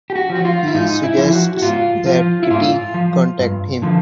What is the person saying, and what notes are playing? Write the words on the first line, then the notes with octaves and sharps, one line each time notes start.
He suggests that Kitty contact him.
G4
F#4
F3
F#4
F4
E4
G#2 D#4
E4
F3
F#4
F#4
G#2 F4
F3 F4
E4
G#2 F4
F3
G2
D3 F3